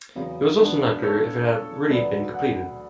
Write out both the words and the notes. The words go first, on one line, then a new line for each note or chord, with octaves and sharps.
It is also not clear if it had really been completed.
E2 C#3 F#3 B3
B3 D4
A4 C#5
D2 D3 F#3 B4 D5
D5 F#5